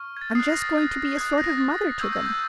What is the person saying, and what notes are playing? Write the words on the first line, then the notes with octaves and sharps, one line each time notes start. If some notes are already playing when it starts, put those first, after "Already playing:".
I'm just going to be a sort of mother to them.
Already playing: C#6 F6
G#6
A6
D#6 F#6 C7
A#6
A6
D#6 F#6 G#6
A#6
A6
A#6
C#6 E6 G6 G#6
G6
G6